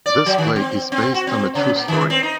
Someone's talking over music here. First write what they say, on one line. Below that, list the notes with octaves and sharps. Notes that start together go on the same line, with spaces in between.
This play is based on a true story.
D5
F#3
D#3
C4
C4
F#4
C4
C#3
A#2
D#3
C4
D#4